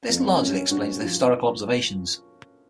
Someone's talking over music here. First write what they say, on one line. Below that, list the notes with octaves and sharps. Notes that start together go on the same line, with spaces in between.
This largely explains the historical observations.
F2 A#3
F#2 C#4
G2 F#4
F3